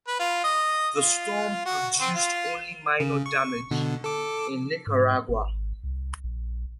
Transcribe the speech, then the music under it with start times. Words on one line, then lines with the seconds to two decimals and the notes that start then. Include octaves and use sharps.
The storm produced only minor damage in Nicaragua.
0.07 B4
0.20 F4
0.44 D#5
0.96 F4
1.66 F#4
2.01 C4
2.15 F4
3.00 C#3
3.26 C#6
3.71 B2 D3
4.04 A4 D6
4.87 G#2
5.29 G#1
5.84 C2
6.24 A#1